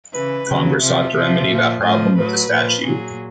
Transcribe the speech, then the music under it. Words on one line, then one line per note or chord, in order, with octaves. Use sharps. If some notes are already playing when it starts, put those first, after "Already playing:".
Congress sought to remedy that problem with this statute.
C#3 E3 B4
C#3 F#3
C3 F3 E5
C3 F3
A#2 F3
A2 F3 D#5
A2 F#3 B4
A#2 F3
A#2 F#3 G#4